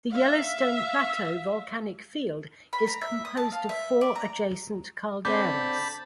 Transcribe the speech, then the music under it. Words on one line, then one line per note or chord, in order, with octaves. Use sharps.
The Yellowstone Plateau volcanic field is composed of four adjacent calderas.
E5 F5
B5
A#5
E5
D#6
A5
F5
E5
D5
A#5
D3 C4 A5 B5 D6 G6